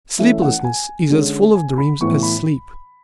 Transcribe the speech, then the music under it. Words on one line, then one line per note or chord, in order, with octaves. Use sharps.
Sleeplessness is as full of dreams as sleep.
E3 A3 C#4 E5
F#5
G#5
D3 G#3 C#4
G#5
B5
A2 E3 B3 C#6
B5